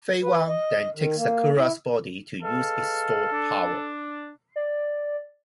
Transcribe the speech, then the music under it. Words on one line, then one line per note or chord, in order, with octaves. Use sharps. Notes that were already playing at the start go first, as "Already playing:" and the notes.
Fei-Wang then takes Sakura's body to use its stored power.
B4
D#5
D#3
A#3
E4
G#3 A4 B4 F5
D4
D5